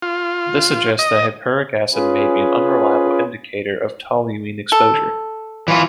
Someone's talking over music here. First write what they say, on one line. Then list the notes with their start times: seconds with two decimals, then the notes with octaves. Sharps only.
This suggests that hippuric acid may be an unreliable indicator of toluene exposure.
0.02 F4
0.99 D#5
1.94 C#4 F4 G#4 B4
4.72 A4
5.68 E3 F4